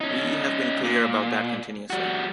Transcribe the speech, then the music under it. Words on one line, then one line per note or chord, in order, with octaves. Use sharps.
We have been clear about that continuously.
C#4 D#4
A#2
G3 F#4